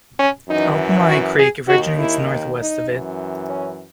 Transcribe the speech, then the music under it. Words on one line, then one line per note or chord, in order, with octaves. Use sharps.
Alpamayo Creek originates northwest of it.
C#4
F#2 E3 D#4
F#4
G#4
D#2 D#3 F#4
E4
D#4
F#2 E3
C#4